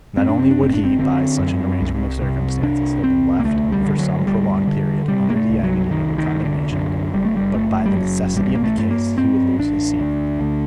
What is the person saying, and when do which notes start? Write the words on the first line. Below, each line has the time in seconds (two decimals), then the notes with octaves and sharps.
Not only would he, by such an arrangement of circumstances, have been left for some prolonged period under the agony of a condemnation, but, by the necessity of the case, he would lose his seat for Tankerville.
0.17 F#2 C4
0.29 D4
0.39 C4
0.51 D4
0.58 F#1
0.63 C4
0.74 D4
0.85 C4
0.99 D3 C4
1.40 F#2
1.81 C2
2.22 C3
2.62 C2 D4
3.03 C2 C4
3.40 A#3
3.45 D2 A3
3.72 G3
3.86 D3
3.99 F#3
4.26 D2 G3
4.67 D3
5.08 C3 G3
5.30 A#3
5.36 A3
5.50 C2
5.63 F#3
5.90 C2 D#3
6.18 D#3
6.31 C2
6.45 D3
6.73 F#2 D3
7.13 F#1 G3
7.25 A3
7.36 G3
7.54 F#1 A3
7.86 G3
7.95 F#1 F#3
8.36 A1 G3
8.55 A#3
8.64 A3
8.78 G2 A3
8.91 A#3
9.18 G2 C4
9.59 A1 D4
10.00 D2
10.41 D2